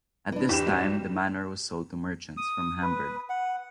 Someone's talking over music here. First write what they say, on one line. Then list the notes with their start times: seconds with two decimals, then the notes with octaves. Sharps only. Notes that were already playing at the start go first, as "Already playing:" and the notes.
At this time the manor was sold to merchants from Hamburg.
0.32 E3 D4
0.49 F#1 E2 G4 E7
0.67 B1 G3 F#4
2.37 D#6
2.82 B4
3.29 F#5